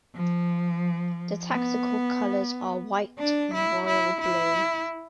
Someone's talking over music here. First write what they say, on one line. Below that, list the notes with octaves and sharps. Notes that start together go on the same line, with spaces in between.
The Tactical colours are White on Royal blue.
F3
B3
D4
E4
E4
E4